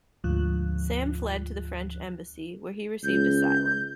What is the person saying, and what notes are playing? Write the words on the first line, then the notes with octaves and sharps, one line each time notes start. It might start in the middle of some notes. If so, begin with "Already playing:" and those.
Sam fled to the French embassy, where he received asylum.
D2 G#2 F3 F#6
C#2 G6